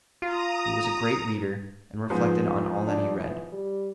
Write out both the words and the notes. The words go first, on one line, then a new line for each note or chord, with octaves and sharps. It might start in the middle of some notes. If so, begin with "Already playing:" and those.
He was a great reader, and reflected on all that he read.
F4 A#5 D#6
G#2 F3 B3
D4
E3
G3